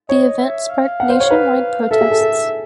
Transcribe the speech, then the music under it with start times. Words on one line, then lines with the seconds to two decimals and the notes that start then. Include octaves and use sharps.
The event sparked nationwide protests.
0.09 C#5 D#5
0.39 E5
0.70 F5
1.00 F#5
1.10 C5
1.20 C#5
1.31 B4
1.91 A4 E5
2.01 G#4
2.11 A4
2.21 A4